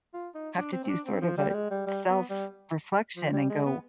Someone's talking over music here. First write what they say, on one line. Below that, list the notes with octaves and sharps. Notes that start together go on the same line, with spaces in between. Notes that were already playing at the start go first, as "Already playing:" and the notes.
have to do sort of a self-reflection and go,
F4
D#4
D4
C4
C4
D4
C4
F3
G3
G3
G#3
G3
G3
B3
G3
F3
G3
G#3
B3